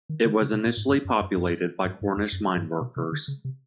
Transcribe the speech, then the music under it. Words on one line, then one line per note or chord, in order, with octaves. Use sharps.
It was initially populated by Cornish mineworkers.
D#3
D3
C#3
B2
A#2
G#2
G2
F#2
F#2
F#2
G2
G2
F2
F#2
G2
B2
C3
D3
C#3
C3